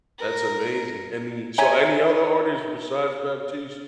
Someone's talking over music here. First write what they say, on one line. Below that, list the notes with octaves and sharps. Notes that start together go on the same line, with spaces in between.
that's amazing. Any So any other artists besides Batiste?
A#4
C#5 E5 G#5 A#5